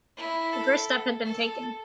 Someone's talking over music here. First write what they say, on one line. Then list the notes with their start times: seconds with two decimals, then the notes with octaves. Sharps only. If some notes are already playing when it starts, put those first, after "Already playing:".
The first step had been taken.
0.17 E4
0.53 A4
1.25 A4